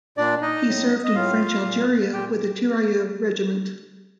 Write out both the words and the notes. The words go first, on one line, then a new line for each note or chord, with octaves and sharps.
He served in French Algeria with a Tirailleur regiment.
A#2 D4 D5
D#4 D#5
A2
D#5
A2 F4 F5
A#2
A#2 G4 G5